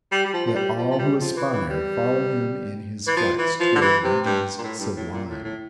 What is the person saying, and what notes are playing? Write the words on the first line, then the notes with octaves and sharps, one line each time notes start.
"Let all who aspire follow him in his flights toward regions sublime."
G3
G3
F3
F3
G3
F3
F3
G3
F3
E3
E3
G3
E3
F3
E3
F3
D3
E3
C3
G2
A#2
A2
G2
A2
A#2
A2
A2